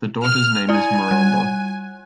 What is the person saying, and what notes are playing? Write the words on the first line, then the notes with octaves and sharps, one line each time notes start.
The daughter's name is Miranda.
F6
E4 D5 G#5
G3 F#6